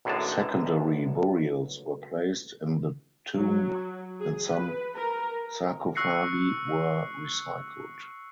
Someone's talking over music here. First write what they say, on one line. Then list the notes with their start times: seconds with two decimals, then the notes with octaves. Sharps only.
Secondary burials were placed in the tomb and some sarcophagi were recycled.
0.05 B1 F#2 A2 D3 G#3 A5
3.37 F#3
4.20 G#4
4.50 B4
4.96 A#4
5.95 C#6 E6 F#6 A#6 C7 C#7